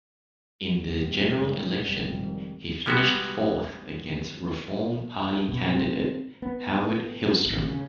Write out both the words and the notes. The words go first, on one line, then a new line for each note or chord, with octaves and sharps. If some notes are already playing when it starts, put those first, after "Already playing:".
In the general election, he finished fourth against Reform Party candidate Howard Hilstrom.
F1 F#2 A#2 G3 G#3
F1 F2 G#2 D#3 G3
G3 G#3 B3 F#4
B2
C4
B3
G#1
C#3